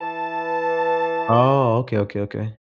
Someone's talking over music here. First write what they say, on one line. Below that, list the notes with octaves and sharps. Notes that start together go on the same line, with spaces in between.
Oh, okay, okay, okay.
E3 A5